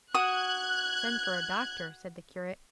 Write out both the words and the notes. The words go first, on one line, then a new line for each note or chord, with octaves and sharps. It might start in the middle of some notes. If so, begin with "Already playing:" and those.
'Send for a doctor,' said the curate.
F#4 D#6 F#6 G#6